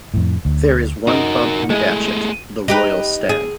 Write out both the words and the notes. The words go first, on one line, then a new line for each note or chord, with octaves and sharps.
There is one pub in Datchet, The Royal Stag.
F2 A2
D2
C#3 D#4 F#4 A#4
G#3 A3 E4 G#4
D#4 G4 B4
G#4